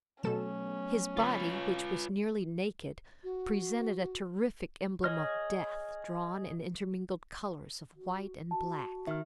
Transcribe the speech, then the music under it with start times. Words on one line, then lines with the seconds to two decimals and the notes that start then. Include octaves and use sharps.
His body, which was nearly naked, presented a terrific emblem of death, drawn in intermingled colors of white and black.
0.23 B2 F#3 A3 B3 C#4 A4 E7
1.17 F4 B4
3.24 F#4
5.04 G#4 C#5 D#5 F6
7.96 F#4
8.51 F#4 A5
9.07 D#3 E5 F6